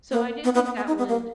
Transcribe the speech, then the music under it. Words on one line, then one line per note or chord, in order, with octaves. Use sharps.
So I do think that would
A#3
B3
B3
B3
B3
D#4
B3
A#3